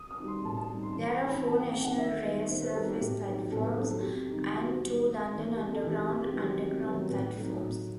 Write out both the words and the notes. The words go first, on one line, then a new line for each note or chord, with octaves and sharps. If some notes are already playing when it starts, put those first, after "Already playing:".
There are four National Rail surface platforms and two London Underground underground platforms.
Already playing: D#6
D#6
G3 D#4
C6
A2 A5
A5
G3 D#4
C6
E3 C6
B5
A3 C4 D#4 B5
B5
E3 A5
G5
A3 C4 D#4 G5
F#5
D#3 E5
G3 B3 D#4 D#5
D#3 C5
B4
G3 B3 D#4 A4
G4
A2 G4
F#3 B3 D#4
A2 A4
B4
F#3 B3 D#4 A4
A4
C3 G4
D#3 G3 D#4
C3 F#4
D#3 G3 D#4
C3
E3 A3 D#4
C3 G4
A4
E3 A3 D#4
G4
C3 G4
G4
D#3 F#3 B3 D#4
G4
C3
D#3 F#3 B3 D#4
A2 B4
F#3 A3 D#4
A2